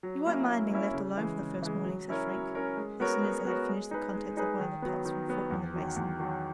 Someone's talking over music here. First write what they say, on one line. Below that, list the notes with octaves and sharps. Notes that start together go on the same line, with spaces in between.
"You won't mind being left alone for the first morning?" said Frank, as soon as they had finished the contents of one of the pots from Fortnum and Mason.
F#3
A#3 C#4 E4
F#3
A#3 C#4 E4
C#3
E3 G#3
C#3
E3 G#3
F#3
C#4 E4 A#4 C#5
F#3
C#4 E4 A#4 C#5
G#3
B3 F#4 A#4 C#5
G#3
B3 F#4 A#4 C#5
G#3
D#4 G#4 B4
G#3
D#4 G#4 B4
D#3
F#3 B3
D#3
F#3 B3
E2
D#3 F#3
E2
D#3 F#3